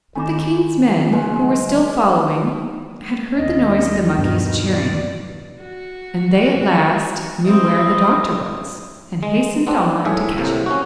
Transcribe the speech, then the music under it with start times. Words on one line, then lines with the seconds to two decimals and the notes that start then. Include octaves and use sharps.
But the King's men, who were still following, had heard the noise of the monkeys cheering; and they at last knew where the Doctor was, and hastened on to catch him.
0.15 D#3 A3 D#4 G#5 B5 D6 E7
1.13 C#3 F#3 G#3 B4 G#5
3.35 D#2 D#3 D#5
4.18 G2 B2
4.69 D5
5.62 F#4
7.46 C4 E4 D#5
9.23 G#3
9.67 B3 C4 D4
10.05 A2 G#4 E5
10.38 C2 A2 C3 A#3
10.66 C#4 F#4